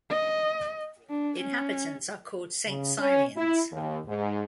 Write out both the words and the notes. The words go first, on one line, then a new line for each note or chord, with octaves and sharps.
Inhabitants are called "Saint-Cyriens".
D#5
D4
C#4
C#3
C#4
E4
D#2
G#2